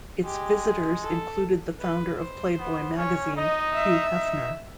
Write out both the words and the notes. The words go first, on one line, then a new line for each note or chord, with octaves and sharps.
Its visitors included the founder of Playboy Magazine, Hugh Hefner.
G#3 G4
A4
B4
C5
B3
C#4 C#5
D#4 D#5
E5
D#4